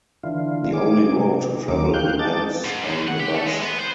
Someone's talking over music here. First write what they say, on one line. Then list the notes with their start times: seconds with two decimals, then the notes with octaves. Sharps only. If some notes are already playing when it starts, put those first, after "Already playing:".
The only road to travel depends on the bus.
0.23 D3 E3 F4
0.73 G#4 D6
1.17 C3
1.68 D#2 D#3 A#3 D6
1.94 F5 G5 F#6 G6
2.19 G#3 D#4 A5 D6 A6
2.65 G#2
2.84 F#2
3.08 F#5
3.20 G4
3.35 A3
3.46 G#3
3.61 B3
3.80 C5